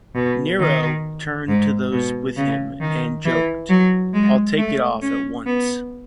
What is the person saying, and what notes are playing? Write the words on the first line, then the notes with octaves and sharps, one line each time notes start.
Nero turned to those with him and joked, I'll take it off at once.
B2
D#3
G#2
B2
C#3
D#3
E3
F#3
G#3
A3
C#4
B3